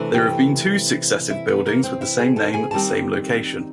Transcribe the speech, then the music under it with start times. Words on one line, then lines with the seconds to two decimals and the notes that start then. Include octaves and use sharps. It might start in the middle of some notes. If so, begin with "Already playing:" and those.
There have been two successive buildings with the same name at the same location.
Already playing: C3 E3 A3 D4
0.14 G4 G5
1.30 E4 E5
1.48 B3 B4
1.66 A#3 A#4
1.83 C4 C5
2.01 E4 E5
2.19 G#4 G#5
2.36 A4 A5
2.53 G#4 G#5
2.71 D#3 G3 C4 A5